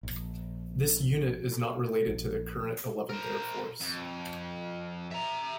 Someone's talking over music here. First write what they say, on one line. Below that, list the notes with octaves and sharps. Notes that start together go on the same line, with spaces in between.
This unit is not related to the current Eleventh Air Force.
A#1
A#1
A#4 C5
F2
E5 A#5